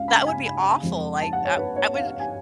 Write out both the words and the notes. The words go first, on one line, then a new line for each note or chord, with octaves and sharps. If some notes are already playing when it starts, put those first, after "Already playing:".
that would be awful. Like, I I wouldn't
Already playing: C#2 C#3 G#3 F5
B5
G#5
B5
F2 F3 G#3
A5
F#5
C#5
B4
C#5
F5
F5
G#5